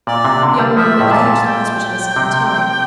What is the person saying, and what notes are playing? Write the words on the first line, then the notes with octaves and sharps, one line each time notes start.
The young woman never came to the hospital a second time.
A#2 D5
C3
D3
G3
F3 E5
A2
A#2 A5
G5
C3